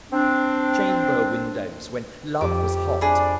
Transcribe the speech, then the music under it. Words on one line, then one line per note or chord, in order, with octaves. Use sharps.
Chamber-windows when Love was hot?
C4 D4
F2 G4 D6
C3 D4 G#4 D5 B5